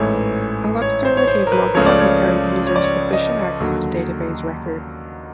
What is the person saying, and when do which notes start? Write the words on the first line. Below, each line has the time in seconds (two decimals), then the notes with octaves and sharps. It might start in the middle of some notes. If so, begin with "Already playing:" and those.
A lock server gave multiple concurrent users efficient access to database records.
Already playing: A1 G#2 E3 A3 C#5
0.82 C#5
1.05 C5
1.17 C#5
1.27 C5
1.47 A#4
1.52 B4
1.74 C#2 C#3 F3 A3 C#5
1.86 D5
2.00 C#5
2.67 C#5
2.76 D5
2.84 C#5
3.13 D#5
3.60 D#2 D3 F#3